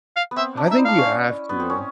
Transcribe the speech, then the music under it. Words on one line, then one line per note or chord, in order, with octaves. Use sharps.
I think you have to,
F5
B3
C4 E5
D4
D#4 E5
E4
D4 F5
C#4
B3
C4
C#4